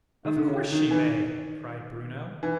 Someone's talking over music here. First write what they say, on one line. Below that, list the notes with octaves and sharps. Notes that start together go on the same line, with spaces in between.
"Of course she may!" cried Bruno.
D#3
D3
C#3
D#3
E3
D#3
E3